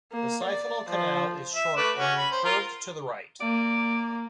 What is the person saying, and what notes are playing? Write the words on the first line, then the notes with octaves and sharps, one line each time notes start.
The siphonal canal is short and recurved to the right.
A#3
D5
F3
E5
A3 B4 D6
C#4 F#4
B5
C5
F4 A#4
A#3 D5